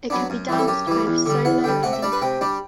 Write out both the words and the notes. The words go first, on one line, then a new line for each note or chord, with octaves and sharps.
It could be danced both solo and in pairs.
F#3 B3 D4
F#2
E3 G3
A4
F#2 G4
E3 G3
E2
D3 G3
E2 F#5
D3 G3 G5
C3 F#5
E5
G3 D4 D5
B4
C3 G5
G3 D4